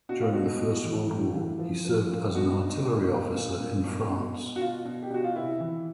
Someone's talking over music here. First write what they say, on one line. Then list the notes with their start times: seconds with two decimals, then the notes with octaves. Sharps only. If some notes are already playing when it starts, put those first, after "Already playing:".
During the First World War, he served as an artillery officer in France.
0.09 B2 F#4
0.22 F4
0.33 B2 F#4
0.60 B2
0.84 E3
1.09 A2
1.34 E3
1.59 F3
1.85 F3
2.10 A#2
2.34 B2 F#4
2.60 B2
2.85 B2
3.10 A#2
3.35 A#2
3.61 A#2
3.85 B2
4.10 B2
4.36 B2
4.56 F#4
4.60 B2 F4
4.85 B2
5.02 G4
5.10 B2 F#4
5.24 F4
5.36 C3 E4
5.60 E3